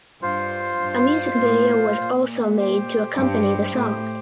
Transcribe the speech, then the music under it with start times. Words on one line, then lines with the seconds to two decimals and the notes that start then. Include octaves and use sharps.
A music video was also made to accompany the song.
0.21 G2 F4 C5 F5
0.80 G2
1.39 A2
1.98 A#2
2.57 G4 C5 G5
3.16 G2
3.74 A2